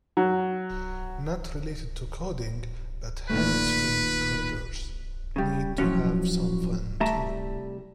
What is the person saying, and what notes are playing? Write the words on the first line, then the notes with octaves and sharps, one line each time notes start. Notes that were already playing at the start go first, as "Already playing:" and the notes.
Not related to coding, but hands-free coders need to have some fun too.
F#3
A#2 D#3 A3 B4
C#3 G3
A2 F3 F#3 C#4
C2 G3 A3 E5 A5 A#5